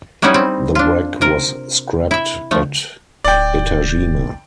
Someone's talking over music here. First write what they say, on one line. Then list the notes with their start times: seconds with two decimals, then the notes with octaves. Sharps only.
The wreck was scrapped at Etajima.
0.22 F#3 G3 B3 C#4 D#4 E4
0.34 C4
0.75 D4 F4
1.21 C3 A#4
2.11 E4 E5
2.51 F3 A3
3.24 D1 D5 G5